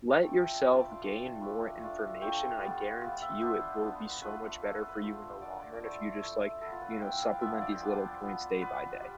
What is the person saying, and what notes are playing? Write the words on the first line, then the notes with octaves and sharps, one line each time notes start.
let yourself gain more information and I guarantee you, it will be so much better for you in the long run if you just, like, you know, supplement these little points day by day.
A3 D4 F4 G5
G5
A3 D4 F4 G5
A5
B5
C6
A3 D4 F4 C6
A3 D4 F4 B5
A3 D4 F4
A3 D4 F4 G5
G3 B3 F4
G3 B3 F4 F5
E5
B3 D4 F4 C5
B3 D4 F4
A3 D4 F4 B4
A3 D4 F4 A4
B4
B4
B3 D4 F4 C5
B3 D4 F4 D5
D5
D5
A3 E4 C5
A3 E4
B3 E4 A4
F4
B4
F5
B3 E4 G5
F5
F3 B3 D4 E5
F5
D5
C5
F3 B3 D4
B3 F4
B3 F4 B4
G3